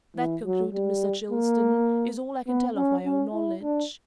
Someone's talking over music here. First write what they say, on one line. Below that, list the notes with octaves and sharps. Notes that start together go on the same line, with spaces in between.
That," concluded Mr. Chilstone, "is all I can tell of my own knowledge.
E3
F#3
G3
A#3
B3
C#4
C#4
E4
D4